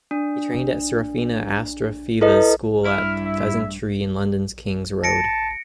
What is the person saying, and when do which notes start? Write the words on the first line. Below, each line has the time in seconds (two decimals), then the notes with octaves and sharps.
He trained at Serafina Astafieva's school at The Pheasantry in London's King's Road.
0.11 D4
2.21 E4 A4 B4 D#5
2.85 G2 E4 F6
3.25 E5
5.04 A5 A#6 C#7 D7